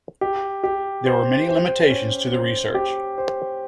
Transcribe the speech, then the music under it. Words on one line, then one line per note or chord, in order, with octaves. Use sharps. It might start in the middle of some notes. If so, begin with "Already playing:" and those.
There were many limitations to the research.
G4
G4
C5
C5
C#4
C5
G4
C5